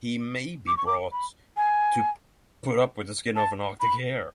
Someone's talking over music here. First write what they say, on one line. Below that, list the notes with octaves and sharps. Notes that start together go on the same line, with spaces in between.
He may be brought to put up with the skin of an Arctic hare.
D6
C#6
D6
B5
G#5
A5
B5